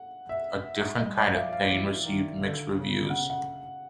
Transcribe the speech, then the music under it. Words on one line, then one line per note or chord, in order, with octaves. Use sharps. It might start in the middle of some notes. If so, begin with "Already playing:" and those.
"A Different Kind of Pain" received mixed reviews.
Already playing: F#5
E5
G3 D#5
D5
F5
F3 E5
F5
E3
D#3
D3
C#3
F#5
F#5